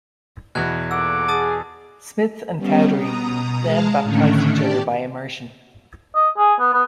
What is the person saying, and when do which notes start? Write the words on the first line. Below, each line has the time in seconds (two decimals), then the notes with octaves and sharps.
Smith and Cowdery then baptized each other by immersion.
0.55 E2 B2 F#6 G#6
0.91 A#2 A4 F#5 D6 E6
1.28 G#4 A5 D#6 A6
2.57 G3 B3 C#4
2.94 B2 A#5 D#6
3.60 G#3 F5 A5 A#5
4.02 A2 D3 D#3 A3 C#4 D4
4.51 G4 D5 A5
6.15 D#5
6.37 G#4
6.59 B3
6.73 B3